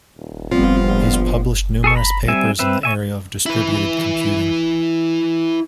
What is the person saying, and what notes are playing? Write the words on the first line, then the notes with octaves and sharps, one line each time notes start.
He has published numerous papers in the area of distributed computing.
D#1
A2 F3 G3 B3 C4 F4
A#1
G#4 A4 C#6
A#5 B5
G3 C4 E5 G#5
C4 B4 E5
E5 G#5 C#6
E4 B4